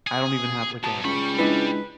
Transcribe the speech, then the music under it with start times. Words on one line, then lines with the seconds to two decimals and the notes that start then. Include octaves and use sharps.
I don't even have, like, a
0.07 G#4
0.84 F#3 B3 A5
1.05 C#2 G3 B5 C#6
1.38 G#3 D4 E4 B4